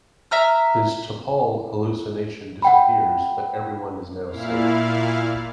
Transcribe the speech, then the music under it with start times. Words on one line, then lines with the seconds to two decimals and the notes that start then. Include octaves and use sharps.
His T'Pol hallucination disappears, but everyone is now safe.
0.31 E5 A#5 F6
2.62 F#5 G5 B5
4.28 A#2 E4 F5